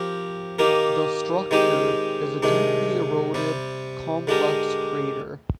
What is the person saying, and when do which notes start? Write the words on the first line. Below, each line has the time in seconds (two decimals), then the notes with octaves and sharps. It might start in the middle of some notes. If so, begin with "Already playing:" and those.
The Structure is a deeply eroded complex crater.
Already playing: F3 C4 G4 A#4
0.59 D#3 A#3 D#4 G4 A#4
1.51 D#3 G#3 C4 D#4 G4
2.43 C3 D#3 G#3 D4
3.34 C3 G3 C4
4.27 D3 G#3 D4 G4 A#4